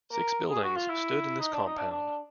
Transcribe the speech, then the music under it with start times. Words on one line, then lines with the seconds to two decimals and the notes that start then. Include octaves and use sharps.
Six buildings stood in this compound.
0.12 A#4
0.51 G#4
0.64 F#4
0.76 F4
0.89 E4
1.40 D#4
1.54 D4
1.67 D#4
1.78 D4
1.91 D4